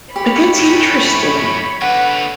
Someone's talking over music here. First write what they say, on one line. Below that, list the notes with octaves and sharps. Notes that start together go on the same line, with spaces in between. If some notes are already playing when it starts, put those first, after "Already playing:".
but that's interesting.
G4 C#5 B5
F#2 A2
D3 B4 F#5